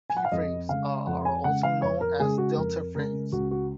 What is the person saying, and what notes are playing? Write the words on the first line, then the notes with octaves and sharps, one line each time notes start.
P-frames are also known as "delta-frames".
G#5
F#5
F5
F2 D#5
C#3 G#3 F5
F2 F#5
G#5
C#3 G#3 F#5
F5
F2 C#5
A#4
C#3 G#3 G#4
F#4
F2 A#4
C#3 G#3 A#4
C#2 F#4
F#4